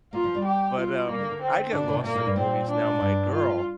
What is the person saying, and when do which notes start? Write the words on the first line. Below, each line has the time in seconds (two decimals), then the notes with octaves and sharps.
but, um, I get lost in the movies. Now, my girl
0.13 A#3 F4
0.24 F3
0.34 G3
0.44 G4
0.77 F4
1.08 G3 A#3
1.18 D3
1.30 D3
1.41 C4
1.72 D3 D4
1.83 C3
1.88 D3
1.93 C3
2.04 A#2 A#3
2.14 A#2
2.25 G2
2.36 A#2 C4
2.68 D4
3.00 G2
3.32 F4